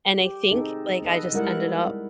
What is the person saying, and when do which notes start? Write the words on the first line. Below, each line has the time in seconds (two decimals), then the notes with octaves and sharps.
And I think, like, I just ended up
0.20 G4
0.50 C4 D#4 G#4 A4
1.02 B3 A4 B4 D#5
1.33 G3 G#3 E4 A#4 F#5